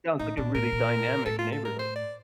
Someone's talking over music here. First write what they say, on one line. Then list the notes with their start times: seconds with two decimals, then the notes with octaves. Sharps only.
Sounds like a really dynamic neighborhood.
0.19 A2 D#4
0.37 A#2 D4
0.54 A2 A#4
0.72 A#2
1.26 A2 A4
1.39 F4
1.52 A4
1.65 A#4
1.79 C5
1.96 D5